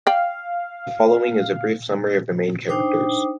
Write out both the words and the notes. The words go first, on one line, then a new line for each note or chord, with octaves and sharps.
The following is a brief summary of the main characters.
D5 F5 G5
D4 D#4 C5 G5 D6 D#6